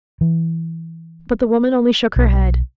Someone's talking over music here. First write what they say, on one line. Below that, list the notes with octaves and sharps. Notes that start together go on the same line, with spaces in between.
But the woman only shook her head.
E3
B1